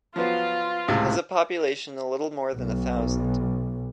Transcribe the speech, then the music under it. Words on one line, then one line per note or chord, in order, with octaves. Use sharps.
It has a population a little more than a thousand.
F3 F#3 B3 F4
C#2 A2 C3
B1